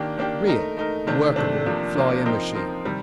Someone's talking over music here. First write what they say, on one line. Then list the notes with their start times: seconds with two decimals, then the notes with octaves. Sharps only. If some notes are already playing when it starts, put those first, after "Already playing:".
Real, workable, flying machines.
Already playing: D#3 A#3 D4 G4
0.17 D#3 A#3 D4 G4
0.47 A3 D#4 A#4
0.77 A3 D#4 A#4
1.07 C3 D#3 A3 D4
1.36 C3 D#3 A3 D4
1.66 C3 F3 A#3 D4
1.95 C3 F3 A#3 D4
2.26 F3 C4 D#4 A#4
2.55 F3 C4 D#4 A#4
2.85 C3 D#3 G3